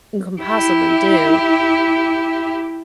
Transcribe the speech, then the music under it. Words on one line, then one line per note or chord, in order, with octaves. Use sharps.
can possibly do,
E4 G4